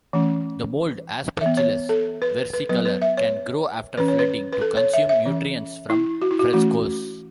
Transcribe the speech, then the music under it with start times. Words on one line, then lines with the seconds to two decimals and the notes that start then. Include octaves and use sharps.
The mold aspergillus versicolor can grow after flooding, to consume nutrients from frescoes.
0.13 E3 A3 C#4
1.41 E3 B3 E5
1.57 C#5
1.89 A4
2.22 B4
2.37 B4
2.53 B4
2.69 F#3 B3 B4
2.85 B4
3.02 E5
3.17 C#5
3.98 E3 C#4 B4
4.08 C#5
4.19 B4
4.53 B4
4.61 A4
4.77 C#5
4.93 E5
5.09 E5
5.26 E3 C#4
5.90 E4
6.22 F#4
6.31 E4
6.39 F#4
6.53 E3 A3 C#4 F#4